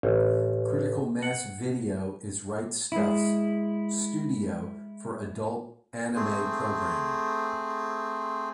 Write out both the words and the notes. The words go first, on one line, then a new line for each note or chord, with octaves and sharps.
Critical Mass Video is Right Stuf's studio for adult anime programming.
A1
F#5
G#3 E4
A3 C4 G#4